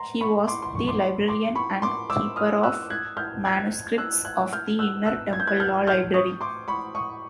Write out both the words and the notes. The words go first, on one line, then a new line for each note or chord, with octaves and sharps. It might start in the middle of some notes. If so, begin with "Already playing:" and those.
He was the "Librarian and Keeper of Manuscripts" of the Inner Temple Law Library.
Already playing: A#5 C6
B5 C#6
C6 D6
C6
C#6
C6 D6
C6 D6
B5 C#6
C6 D6
D6 E6
D#6 F6
E6 F#6
F#6 G#6
F6 G6
F#6 G#6
E6 F#6
F#6 G#6
F6 G6
E6 F#6
E6 F#6
G#6
G6
F#6 G#6
F6 G6
F6 G6
C#6 D#6
C6 D6
B5 C#6
C#6 D#6